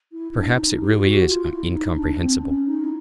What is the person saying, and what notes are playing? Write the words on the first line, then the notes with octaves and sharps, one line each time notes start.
Perhaps it really is incomprehensible.
E4
D4
E4
D#4
G4
F4
F#4
F4
E4
D#4
D4
C4
C#4
D#4
E4